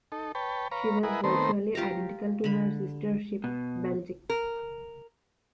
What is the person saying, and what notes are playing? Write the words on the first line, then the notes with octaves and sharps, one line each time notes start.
She was virtually identical to her sister ship "Belgic".
D#4 A4
B4 C#5 G5 A5
B4 C#5 F5 A#5
E4 G#4 A#4 B4 D#5 F#5
D#3 A3 B3 C4 A#4 C5
F4 G4 F5 A#5
D3 B5
B2
A#4